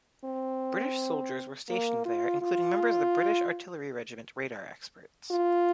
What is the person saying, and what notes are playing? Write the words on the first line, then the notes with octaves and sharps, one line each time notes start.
British soldiers were stationed there, including members of the British Artillery Regiment radar experts.
C4
A#3
F4
F4
F4